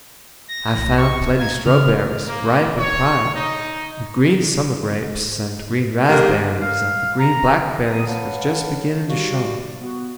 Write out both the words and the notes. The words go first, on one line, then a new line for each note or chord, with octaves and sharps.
I found plenty strawberries, ripe and prime; and green summer grapes, and green razberries; and the green blackberries was just beginning to show.
A#6
B1 E3
C#6
F5 A#5 G#6
C#3 E3 F6
A#3
C#5
D#4
G#2 A#3 G4
F5
A#5
B3 D#6
B4 C#5 F5 F#5 A5
G3 F#4 G4 D5 F5
B3 F#4